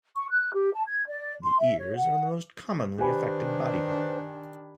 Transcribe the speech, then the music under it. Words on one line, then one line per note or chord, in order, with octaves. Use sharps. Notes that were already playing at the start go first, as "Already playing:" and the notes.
The ears are the most commonly affected body part.
C#6
F#6
G4
A5
G#6
D5
C6
E5
C#5
F#5
D#3 D4 G4 B4 C5 G#5 B5